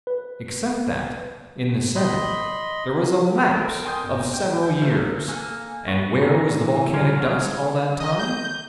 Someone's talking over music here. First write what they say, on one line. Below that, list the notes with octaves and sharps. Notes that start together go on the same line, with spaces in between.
Except that, in the seven, there was a lapse of several years--and where was the volcanic dust all that time?
B4
D#5 B5 C6
A4 A#4
G5 G#5 C6 D#6 G6
G1
G5 G6
G6
D3 F#3 A3 F4
A#3 A4 G#5 F#6
F#4 B4
C#4 D4 G#4 A#5
E3
F3 G3 G#3 G#4 A#4
C#5 F5 F#5 A5
D#5
G6